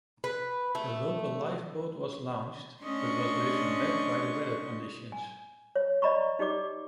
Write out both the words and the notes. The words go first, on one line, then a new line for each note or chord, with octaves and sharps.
The local lifeboat was launched, but was driven back by the weather conditions.
B4
A3
A3 C#4 D4 D#5 C6 C#6
G#5
C#5
D5 D#5 A#5 B5 C#6
D#4 G4 D5 D6